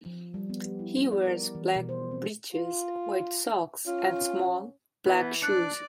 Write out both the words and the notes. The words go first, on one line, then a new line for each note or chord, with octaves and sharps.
He wears black breeches, white socks and small, black shoes.
F3
G3
B3
G4
E4
B3
D5
A#4
E3
B2
C5
C4
F4
C#4 F4
E3 B3
D4 D5 F#6 C#7